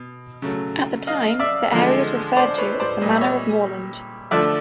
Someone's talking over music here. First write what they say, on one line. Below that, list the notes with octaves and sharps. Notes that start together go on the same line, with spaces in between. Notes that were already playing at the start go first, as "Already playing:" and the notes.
At the time, the area was referred to as the "Manor of Mooreland".
Already playing: B2
C#3 F#3 A3
D#5 F5
D5 E5
D3 F3 G#3
C5 D5
B4 C#5
C5 D5
A#2 G3 D#5
E5
C#5 D#5
D3 F3 A3 D5 E5